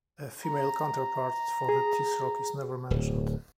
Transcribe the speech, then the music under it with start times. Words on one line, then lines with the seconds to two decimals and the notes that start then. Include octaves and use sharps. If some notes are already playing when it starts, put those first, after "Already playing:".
A female counterpart for the Tisroc is never mentioned.
0.45 A#5
1.69 G#4
2.90 D1